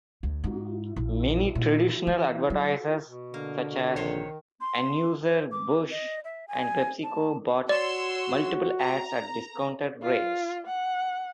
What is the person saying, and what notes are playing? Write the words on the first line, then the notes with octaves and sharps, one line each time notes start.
Many traditional advertisers, such as Anheuser-Busch and PepsiCo, bought multiple ads at discounted rates.
D2
G#2
A#1
A#2
E3
F#3
B2
D3 A#3
A#1 C3 D#3 C5 C#5
C6
C5
D6
D#5
E5
G#5
A5
F#4 C#5 D5 C6 E6
A#5
F4
F#5